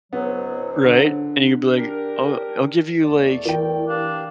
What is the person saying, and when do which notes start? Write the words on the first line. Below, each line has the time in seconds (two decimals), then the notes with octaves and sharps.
Right, and you'd be like, "Oh, I'll give you, like,
0.13 C#2 G#2 F#3 B3
0.84 D3
1.77 D4 G4 A#4
3.03 E2 A3 D5
3.45 E3 A#4 G5
3.89 D4 G4 F5